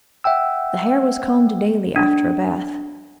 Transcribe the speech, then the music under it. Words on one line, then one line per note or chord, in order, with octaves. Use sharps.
The hair was combed daily after a bath.
E5 F#5 G5 E6
D4